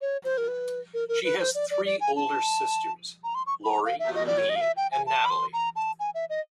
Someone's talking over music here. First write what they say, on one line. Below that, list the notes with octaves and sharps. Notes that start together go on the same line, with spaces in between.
She has three older sisters; Lori, Lee, and Natalie.
C#5
C5
A#4
B4
A#4
A#4
B4
C5
D5
D5
D5
G#5
A5
A#5
C6
C#6
B5
A#5
F5
E5
D#5
D5
C#5
D#5
F5
E5
G5
G#5
A5
B5
C6
A#5
A5
G#5
E5
D#5